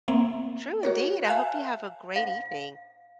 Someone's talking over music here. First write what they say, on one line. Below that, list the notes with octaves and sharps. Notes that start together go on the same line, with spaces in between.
True indeed, I hope you have a great evening.
A#3 C4 E5
F#4 A#4 C#5
E5 F5 G#5 A5 F#6
F5